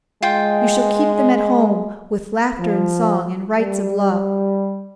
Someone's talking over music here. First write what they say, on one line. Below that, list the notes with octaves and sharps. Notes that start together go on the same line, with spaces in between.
You shall keep them at home, with laughter and song and rites of love.
G#3 F4 G5
F3
G3